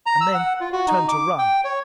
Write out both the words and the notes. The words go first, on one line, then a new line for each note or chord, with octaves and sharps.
And then turned to run.
A#5
E6
F#5
F4
F#4
D#4
D6
G5
C#5